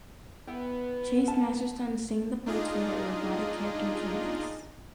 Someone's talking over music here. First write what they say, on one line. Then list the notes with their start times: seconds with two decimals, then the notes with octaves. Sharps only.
Chase Masterson sang the parts for her robotic character Janice.
0.47 B3 E4 G5
1.26 E4 A#4 A5
2.46 D4 D#4 F4 G#4 D#5